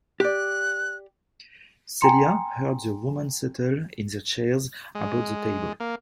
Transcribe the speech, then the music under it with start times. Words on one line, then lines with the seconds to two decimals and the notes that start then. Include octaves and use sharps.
Celia heard the women settle in their chairs about the table.
0.20 G4 D5 F#6
2.01 G5 G#5 A#5 C6 C#7
4.95 G#3
5.80 A#3